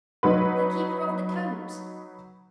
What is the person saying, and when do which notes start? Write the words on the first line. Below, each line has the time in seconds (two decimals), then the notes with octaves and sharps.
The Keeper of the Cones!
0.23 F#3 D#4 B4